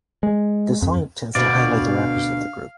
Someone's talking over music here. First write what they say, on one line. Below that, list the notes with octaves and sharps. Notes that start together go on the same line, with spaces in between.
The song intends to highlight the rappers of the group.
G#3
F2
D2 B2 D5 F5